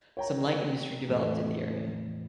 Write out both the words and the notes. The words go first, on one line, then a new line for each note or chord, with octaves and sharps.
Some light industry developed in the area.
C#5 G5 A#5
E2 A2 A3